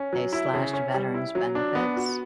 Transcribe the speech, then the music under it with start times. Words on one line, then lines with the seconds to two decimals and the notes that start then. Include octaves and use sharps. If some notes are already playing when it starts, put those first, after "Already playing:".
they slashed veterans benefits.
Already playing: C#4
0.13 F#3
0.33 E4
0.54 C#3
0.73 C#4
0.94 G3
1.14 E4
1.35 F#3
1.55 D4
1.75 B3
1.97 F#4